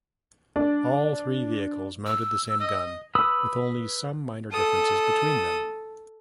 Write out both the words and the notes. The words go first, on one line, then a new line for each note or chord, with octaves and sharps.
All three vehicles mounted the same gun, with only some minor differences between them.
D4
E6
D#5
B4 B5 D#6 E6
A4 D#6